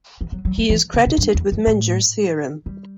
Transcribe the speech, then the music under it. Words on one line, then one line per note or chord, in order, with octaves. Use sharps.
He is credited with Menger's theorem.
E3
F#3
F#3
G3
E3
C#3
B2
G2
E2
F#2
A2
G3